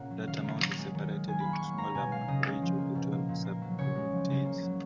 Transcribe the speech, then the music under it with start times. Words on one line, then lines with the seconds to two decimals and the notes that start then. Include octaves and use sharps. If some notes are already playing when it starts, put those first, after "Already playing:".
That amount is separated into smaller amounts for each of the twelve Subcommittees.
Already playing: A#2 C#3 A#3 F#5
0.11 F#3
0.27 D#3 F5
0.44 A#3
0.61 F#3
0.78 G#3
0.94 D#3
1.11 G#3
1.28 D#3 G#5
1.40 A#3 B5
1.53 C#6
1.61 F#3
1.78 A#3 A#5
1.94 B2 G#5
2.11 A#3 F5
2.28 C#3 D#5
2.45 G#3
2.62 F3
2.78 A#3
2.95 B2
3.12 A#3
3.29 A#2
3.45 A#3
3.61 F#3
3.78 C#3 C#5
3.95 G#3
4.12 F3
4.29 C#3
4.45 A#3
4.62 F#3